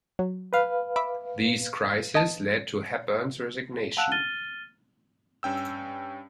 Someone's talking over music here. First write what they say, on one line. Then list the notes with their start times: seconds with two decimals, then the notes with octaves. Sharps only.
These crises led to Hepburn's resignation.
0.19 F#3
0.53 B4 F5
0.96 E5 B5 D6
2.15 D#5 A5
3.97 F5 F#5 A5 E6 F#6
4.12 F6 A6 D#7 G7
5.43 G2 C#4 G5 E6